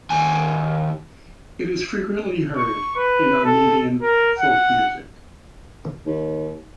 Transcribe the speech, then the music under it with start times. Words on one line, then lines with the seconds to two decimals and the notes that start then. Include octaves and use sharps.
It is frequently heard in Armenian folk music.
0.10 D#2 G#5
2.57 C#6
2.96 B4
3.45 A4
4.02 A#4
4.39 F#5
6.06 D#2